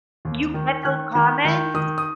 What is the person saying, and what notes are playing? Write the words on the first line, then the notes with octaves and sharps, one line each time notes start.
You get those comments?
D#2
D#3
D#3 F#6
D#3
D#3
D#3 D#6
D#6